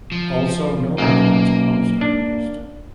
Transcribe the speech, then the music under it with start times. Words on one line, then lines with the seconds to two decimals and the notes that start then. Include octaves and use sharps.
Also, no mechanized pumps are used.
0.12 F3
0.98 B1 F#2 A#3
2.01 D4